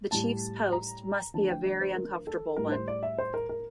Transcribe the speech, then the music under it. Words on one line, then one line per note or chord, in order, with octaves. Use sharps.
The chief's post must be a very uncomfortable one.
A2 G3 A5
A#5
D3 F3 A3 A5
G5
D5
C5
A#4
A4
A2 G3 A#4
C5
D5
E5
C5
A#4
A#4